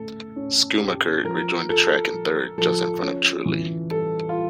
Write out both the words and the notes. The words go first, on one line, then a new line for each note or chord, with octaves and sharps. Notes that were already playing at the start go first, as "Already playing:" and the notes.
Schumacher rejoined the track in third, just in front of Trulli.
Already playing: A3 C#4 A4
C#4
G4
F3 A#4
F4 A4
F3
F3 A4
C#4
E3
G3 A4
F4
G3